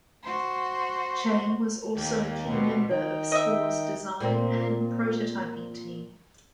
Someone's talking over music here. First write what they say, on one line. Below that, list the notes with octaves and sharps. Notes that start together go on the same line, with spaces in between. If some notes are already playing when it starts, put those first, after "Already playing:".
Chaim was also a key member of Spore's design and prototyping team.
F#4 C5
D#2 G4
B2 G3 C4
D#3 D#4 G5
D#5 E5
A#2 A#3 C4